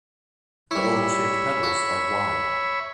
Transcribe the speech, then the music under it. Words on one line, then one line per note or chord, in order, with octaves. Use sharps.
The oval-shaped petals are wide.
G3 E4 C#5 E5 B5
F#4